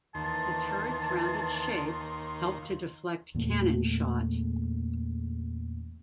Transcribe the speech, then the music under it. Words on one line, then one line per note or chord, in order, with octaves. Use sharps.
The turret's rounded shape helped to deflect cannon shot.
D#2 E3 A5 C6
E2 A#2 C#3 A3